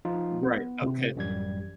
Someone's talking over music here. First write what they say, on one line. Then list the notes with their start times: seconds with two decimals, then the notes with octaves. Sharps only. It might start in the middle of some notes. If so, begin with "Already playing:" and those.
Right, okay.
0.05 F3 D#4 F4
0.43 B3
0.82 C3
1.16 A1 F#2 G3 G#6